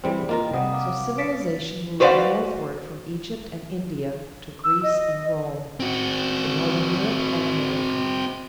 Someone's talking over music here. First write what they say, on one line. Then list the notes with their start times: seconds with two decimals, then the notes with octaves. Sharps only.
So civilization moved northward from Egypt and India to Greece and Rome, to northern Europe and America.
0.04 E3 G3 C4 G#4 C5 G5
0.29 A#3 F4 A#4 D#5
0.53 C3 G3 F#5 A#5 D#6
0.72 F5 D6
1.18 B4 F5 A6 B6 C#7 D7
2.00 F#4 B4 C5 D5 F5 F#5
4.64 E6
4.83 D#5
5.80 C4 F#4